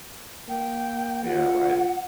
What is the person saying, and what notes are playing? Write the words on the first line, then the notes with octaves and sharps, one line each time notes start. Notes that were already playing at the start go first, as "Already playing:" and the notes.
Yeah, right.
A#3 G5
F4 F#5